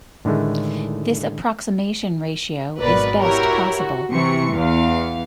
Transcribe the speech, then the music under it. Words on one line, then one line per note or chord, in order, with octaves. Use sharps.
This approximation ratio is best possible.
A2 D3 D#3 G#3 A3
G#1 B2 B3 A#4 B4 D5
E4 F#4 G4 A#4 C#5
F#4
C3 E3 C#6 C#7
E2 F5